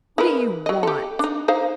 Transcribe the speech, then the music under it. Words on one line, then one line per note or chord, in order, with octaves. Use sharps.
"What do you want?"
D#4 A#4 B4
F#3 D#5
G4 A4
D4 D#4
D#4 C5 F5